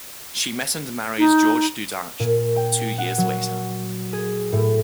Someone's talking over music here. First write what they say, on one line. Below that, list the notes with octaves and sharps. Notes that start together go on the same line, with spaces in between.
She met and married George Dudach two years later.
D#4
A#2
G5
F#5
F#3
G#4
A2